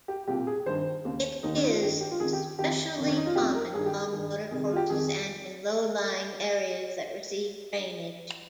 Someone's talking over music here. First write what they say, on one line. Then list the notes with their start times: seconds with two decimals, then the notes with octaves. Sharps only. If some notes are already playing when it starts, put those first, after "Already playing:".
It is especially common along watercourses and in low-lying areas that receive drainage.
0.08 G4
0.28 C2 A#2 G4
0.47 G#4
0.66 G2 D#3 C5
1.05 D#2 C#3
1.43 D#2 D#3 D#4
1.57 C#4
1.63 D#4
1.69 F4
1.81 G2 D#3 G4
2.01 G4
2.11 F4
2.20 C#2 C3 D#3 G#4
2.33 G4
2.58 F2 D#3 G4
2.97 F2 C3 D#3
3.08 C#4
3.17 D#4
3.26 F4
3.35 C#3 G4
3.40 F2
3.55 A#4
3.74 G2 D#3 G#4
3.86 G4
3.97 G#4
4.12 G2 D#3 G#4
4.51 C2 C3 D#3 G#4
4.64 G#4
4.72 F4
4.76 G4
4.90 F2 D#3 G#4